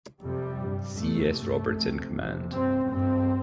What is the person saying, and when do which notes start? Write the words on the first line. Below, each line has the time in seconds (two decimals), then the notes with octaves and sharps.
C. S. Roberts in command.
0.23 F2 C3 G3
0.60 G2
0.98 F2 C3 A3
1.36 G2 A3
1.75 F2 C3
2.13 F2 C3
2.51 G2 C4
2.89 G2 C4